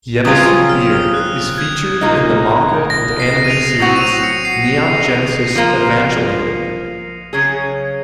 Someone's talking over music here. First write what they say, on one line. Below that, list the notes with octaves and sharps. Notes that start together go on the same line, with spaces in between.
Yebisu Beer is featured in the manga and anime series "Neon Genesis Evangelion".
C#3 F#3 C4 F4 G#4 D#6
D#6
F6
D#6
F#6
G#6
A#2 F3 A#3 D#4
A#6
C7
D#7
F7
F#3 C4 F#4 F7
D#7
F7
C#7
C7
F3 A#3 F4
C#3 F#3 C#4 G#4